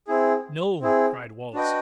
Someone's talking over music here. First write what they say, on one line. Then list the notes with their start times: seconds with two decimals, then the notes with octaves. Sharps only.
"No," cried Wallace.
0.07 C4 E4 G#4
0.81 C4 E4 G#4
1.54 D4 F#4 B4 D#5 G5